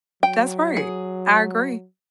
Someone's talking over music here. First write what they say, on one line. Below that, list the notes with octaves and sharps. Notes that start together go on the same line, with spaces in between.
That's right. I agree.
F#3 G5
G#4